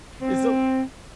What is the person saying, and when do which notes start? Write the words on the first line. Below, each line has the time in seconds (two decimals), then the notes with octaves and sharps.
It's a l
0.22 C4